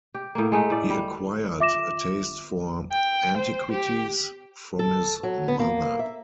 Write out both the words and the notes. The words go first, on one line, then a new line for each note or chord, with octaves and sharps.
He acquired a taste for antiquities from his mother.
G4
A2 A#3
G#3 A3 D#4
A2 D5
G3
F4 E5 D6 A#6 E7
G5
C5
G4
A4
F#3
B3
A#3
E5